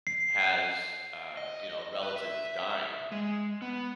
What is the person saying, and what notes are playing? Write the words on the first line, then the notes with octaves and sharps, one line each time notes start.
has, uh, you know, a relative is dying,
C7
D#5
B4
E5
G#3
B3